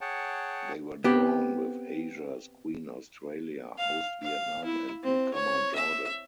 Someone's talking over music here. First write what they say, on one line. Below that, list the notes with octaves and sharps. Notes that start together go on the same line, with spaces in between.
They were drawn with Asia's Queen Australia, host Vietnam and newcomer Jordan.
G#4 C#5 F#5 G5 A5
B3 C4 G4
F5
F5
E4
C4
C#5
E5